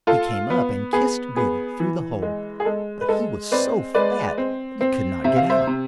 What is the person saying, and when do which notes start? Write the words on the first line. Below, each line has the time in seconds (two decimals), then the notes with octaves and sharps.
He came up and kissed Goody through the hole; but he was so fat that he could not get out.
0.07 F4 A4
0.50 B3
0.93 B3 G#4
1.36 B3 G#4
1.80 E3
2.22 G#3
2.60 G#4
2.65 G#3 A4
3.01 B4
3.09 G#3 A4
3.51 C4 B4 D5
3.95 G#3 B4 D5
4.38 C4
4.81 C4
5.24 C3 E5
5.36 F5
5.50 C5 E5
5.67 C3